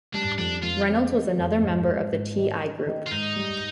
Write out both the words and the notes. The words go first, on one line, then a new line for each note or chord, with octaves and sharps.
Reynolds was another member of the T I Group.
G3 D4
F2 D4
F2 F4
C4
D#3
F2
G#2
G#2
G#1
D#3
D#3
D#3
F4
G#2 D#4
G3